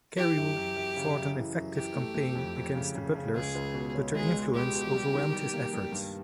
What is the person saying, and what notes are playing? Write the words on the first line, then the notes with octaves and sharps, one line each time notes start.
Carew fought an effective campaign against the Butlers, but their influence overwhelmed his efforts.
E3 G4
F#2
F#2
F#2
C#3
F#2
E3
F#2
E3 G4
A3
A3
F2
F2
C#3
C#3
C#3
C#2 G#4
C#2
B2
C#4
G#3 G#4
G#3
G#3 G4
B2
G3
D#3
G3
A#3
G3
G2